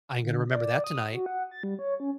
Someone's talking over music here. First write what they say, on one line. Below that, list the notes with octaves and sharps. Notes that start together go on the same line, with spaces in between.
I ain't gonna remember that tonight."
D3
D5
D#6
F#4
F#5
A6
G3
C#5
C#4